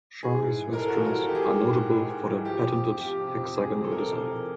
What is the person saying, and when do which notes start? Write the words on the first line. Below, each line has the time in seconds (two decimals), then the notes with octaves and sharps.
Shari's restaurants are notable for their patented hexagonal design.
0.23 E3 G#4
0.41 G#2
0.61 E3
0.73 A#4
0.79 E3 A4
0.88 F#4
0.93 E3 F4
1.06 A#4
1.16 E3 A4
1.29 G4
1.35 E3 G#4
1.53 G#2
1.71 G#2
1.90 G#2
2.08 G#2
2.26 E3
2.45 F3 G4
2.64 F2
2.82 F3
3.01 F3 G4
3.20 C3
3.37 F2
3.56 F2 G#4
3.74 F2
3.84 A4
3.92 F3 A#4
3.99 A4
4.11 C3 A#4
4.29 F3